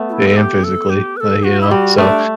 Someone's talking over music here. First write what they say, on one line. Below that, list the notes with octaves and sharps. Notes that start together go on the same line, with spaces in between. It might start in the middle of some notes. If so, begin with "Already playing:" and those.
and physically, like, you know, so,
Already playing: A3 B3
F#4
E4
A4
G4
A4
G4
B4
A4
F#4
E4
G3 F#4
A3 D4